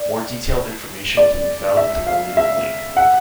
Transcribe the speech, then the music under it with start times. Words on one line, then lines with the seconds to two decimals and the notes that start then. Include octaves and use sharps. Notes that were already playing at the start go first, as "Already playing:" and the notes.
More detailed information can be found at the related link.
Already playing: D5
1.17 D5
1.77 E5
2.07 F5
2.37 E5
2.97 F#5